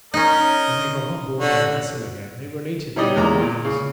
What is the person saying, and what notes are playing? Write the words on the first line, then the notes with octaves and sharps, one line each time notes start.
When they got on board their vessel again they related their adventures.
C#4 D#4 A#4 D#5
D3 F#4 C#5
B2 G3 C#4 D#4 D5 D#5
E2 G#3 A#3 A#5 D6
A#2
C#3